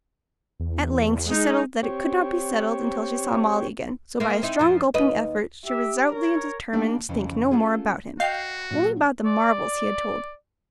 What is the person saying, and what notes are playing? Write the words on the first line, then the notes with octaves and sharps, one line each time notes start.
At length she settled that it could not be settled until she saw Molly again; so, by a strong gulping effort, she resolutely determined to think no more about him, only about the marvels he had told.
E2
G#3 D#4
C4 G4 C#5
A#3 C4 E4
C4 D#4 E4
F2 F3
D#2 B4 D#5
G4 E5
A#4 C#5
A#3 D4 D#4 G4
F2 C#3 E3
A3 C#4 F4 G#4
F#4 D#5 F5 G5 G6 C7
A#2 F#3
D5